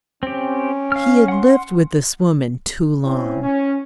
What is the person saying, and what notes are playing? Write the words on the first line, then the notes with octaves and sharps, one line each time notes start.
He had lived with this woman too long.
C4 C#4 G4
F5 F6
F#5 C6
C4 C#4 E4
C#4